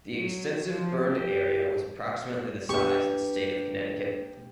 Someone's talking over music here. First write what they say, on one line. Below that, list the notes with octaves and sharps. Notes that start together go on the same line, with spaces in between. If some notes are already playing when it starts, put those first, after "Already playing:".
The extensive burned area was approximately the size of the state of Connecticut.
F#3
F3
G4
A#3 D4 G4 B4 C#6